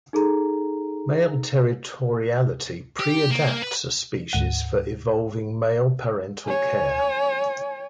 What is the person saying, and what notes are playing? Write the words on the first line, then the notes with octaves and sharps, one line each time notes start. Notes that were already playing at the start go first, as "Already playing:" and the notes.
Male territoriality "preadapts" a species for evolving male parental care.
D#4 G#4 A4 A#5
G4
A#3
B4
D2 G#2 F#5 D#7
C#5 G#5